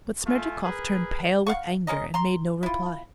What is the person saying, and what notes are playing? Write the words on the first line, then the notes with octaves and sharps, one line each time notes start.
But Smerdyakov turned pale with anger, and made no reply.
A3 F4 G#5
G#4 A#4 B4
F5 F#5 C#6
G#3 C#4 A#4 D#5
A#5 C6
E4 F4